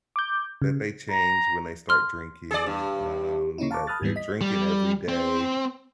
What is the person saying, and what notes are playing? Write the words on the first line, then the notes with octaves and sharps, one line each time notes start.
that they change when they start drinking, um, that they're drinking every day,
D6 G6
C#3
A#5
C6 F6
G#4 D5
G2
C#3 A#3 C#4 D#4 E4
F5 A5 A#5 C#6 D6
A5 B5 D#6 F6 F#6 A6
G#2 E3 G3 B3
D#5 B6
G3
C4